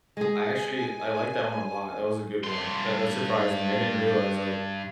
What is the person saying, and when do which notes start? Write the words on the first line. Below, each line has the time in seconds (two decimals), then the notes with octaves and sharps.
I actually, I like that one a lot, that was a good one, that that surprised me. I didn't realize, like,
0.17 G#3 G#4 G#5
2.44 G2 C6